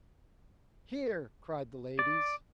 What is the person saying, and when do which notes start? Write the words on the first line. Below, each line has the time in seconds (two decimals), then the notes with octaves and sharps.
"Hear!" cried the ladies.
1.99 D5